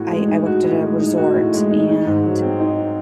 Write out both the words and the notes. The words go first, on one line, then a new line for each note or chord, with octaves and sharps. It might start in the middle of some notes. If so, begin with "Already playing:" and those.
I I worked at a resort, and
Already playing: A2 F#4
G#3
D#4
F#4
A2
G#3
D#4
F#4
A2
G#3
D#4
D#4
G#2
F#3
C4
D#4